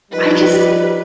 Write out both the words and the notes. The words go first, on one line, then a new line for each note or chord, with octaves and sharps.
I just
F3 G3 D#4 B4